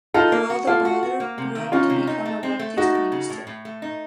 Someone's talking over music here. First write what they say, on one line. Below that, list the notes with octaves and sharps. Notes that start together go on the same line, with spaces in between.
Her older brother grew up to become a Baptist minister.
D#4 F4 A4
A#3
F#4
A#3 F4 A4
F#4
F#4
A#3
C3
D#3
C#4 D#4 F4
C3
D#4
A3
C4
A3
A3 D#4 F#4
A3
C#3
A2
A2
A3
D#4